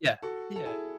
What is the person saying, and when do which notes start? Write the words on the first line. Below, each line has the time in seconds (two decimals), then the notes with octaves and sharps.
Yeah, yeah.
0.22 F#4 A4
0.56 A4
0.66 E4 G#4